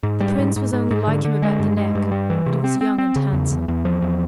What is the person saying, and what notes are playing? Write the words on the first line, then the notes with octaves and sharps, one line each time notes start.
The Prince was only like him about the neck; but he was young and handsome.
G#2
G3
G#2
G#2
G#2
G#2
D3
D3
G#3
G2
G#3
G2
G3
E3
C3
C4
C4
C4
C#3
E2
E2
E2
F3
E2